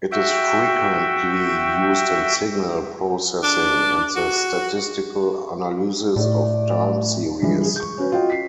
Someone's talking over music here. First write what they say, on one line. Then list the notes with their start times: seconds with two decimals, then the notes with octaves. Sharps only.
It is frequently used in signal processing and the statistical analysis of time series.
0.12 F#4 E5 G5
3.44 D4
4.16 F#4
6.16 A2 A3 D5
7.42 G2 E3 F3 G3 G#3
7.65 G#4
7.76 C#6 G6
7.98 C#4 F#4 B4 C#5
8.12 F4 F#4 D#5 G5
8.30 B6 C7